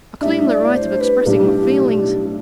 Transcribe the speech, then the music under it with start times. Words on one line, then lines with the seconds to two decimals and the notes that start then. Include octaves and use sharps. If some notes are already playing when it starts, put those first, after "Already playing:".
I claim the right of expressing my feelings.'
0.21 A2 G3 D4 E5
0.48 D5
0.74 C5
1.01 B4
1.26 B1 A2 G3 D4 G4